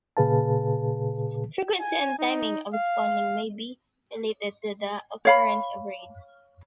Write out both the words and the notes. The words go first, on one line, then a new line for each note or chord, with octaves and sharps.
Frequency and timing of spawning may be related to the occurrence of rain.
A#2 C#3 G#4 B4 F5 A5
G#5
D#4
F5
C#5 F5 B5